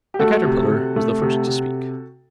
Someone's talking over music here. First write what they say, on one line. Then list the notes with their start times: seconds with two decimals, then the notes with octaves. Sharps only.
The Caterpillar was the first to speak.
0.14 G4
0.19 A3 F#4 A4
0.45 C3
0.70 C3
0.96 A3
1.22 C3
1.47 C3